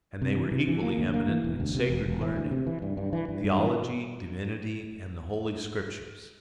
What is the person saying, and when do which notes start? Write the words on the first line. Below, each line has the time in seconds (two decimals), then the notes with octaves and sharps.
And they were equally eminent in sacred learning--Theology, Divinity, and the Holy Scriptures.
0.22 C3
0.36 E3
0.52 C3
0.68 E3
0.83 A#3
0.98 D2
1.14 A#3
1.28 E3
1.44 E1
1.60 D2
1.75 C3
1.90 E1
2.06 E1
2.21 E3
2.36 D2
2.51 C3
2.67 E3
2.82 G2
2.97 G2
3.13 E3
3.28 G2
3.44 G2
3.58 E3